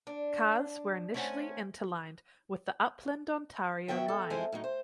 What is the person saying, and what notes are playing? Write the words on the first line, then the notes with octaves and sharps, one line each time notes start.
Cars were initially interlined with the Upland–Ontario Line.
D4
A3 C4 C#4 F5 F#5 G#5
D#3 F#3 B3 E5 G5
A4
F2 G#3 E4 F4 C5 G#5
A2 F#3 D#4
C5